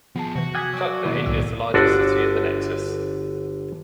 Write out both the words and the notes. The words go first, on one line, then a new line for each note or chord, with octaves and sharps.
Kugnae is the largest city in the Nexus.
F3 B3 G#4 A5
C3 E3 F#4
F#5 G#5 D6 D#6 B6
F#3 D5
D#2 B2 E4
C2 A2 E6
G1 D3 D4 F#4